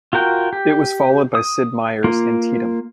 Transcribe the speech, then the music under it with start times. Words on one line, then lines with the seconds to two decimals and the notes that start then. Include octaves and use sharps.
It was followed by Sid Meier's Antietam!
0.13 F4 F#4 A#4 G5
0.53 G4
1.35 D#6
2.04 A#3 F4